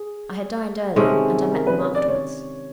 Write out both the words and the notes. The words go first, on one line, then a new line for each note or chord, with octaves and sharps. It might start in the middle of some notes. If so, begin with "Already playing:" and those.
I had dined early; and I met them afterwards.
Already playing: G#4
C3 D#3 G#3 C#4 A4
A#4
B4
C#5
D5
C#5